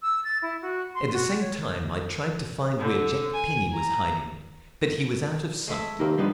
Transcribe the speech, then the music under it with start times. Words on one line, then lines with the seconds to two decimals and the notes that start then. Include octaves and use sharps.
At the same time I tried to find where Jack Penny was hiding, but he was out of sight.
0.02 E6
0.24 A6
0.42 E4
0.62 F#4
0.95 C6
1.13 F#4
1.41 C#5
2.79 D3
3.33 G#5
3.74 A#5
5.68 G#3 A3 E5
5.99 D#2 A#3 C4 A#4
6.18 G2 F3 G#3 B3